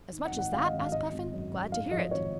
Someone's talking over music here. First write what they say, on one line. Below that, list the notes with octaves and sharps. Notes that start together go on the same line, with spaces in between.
"As much as that?" asked Puffin, "Glad to hear it."
D#3
F#5
G#1
F#5
G#1 F5
D#5
G#1
F5
G#1 D#5
G#1
F#2
F#2
G#2 F5
F3 D#5
G#1 C#5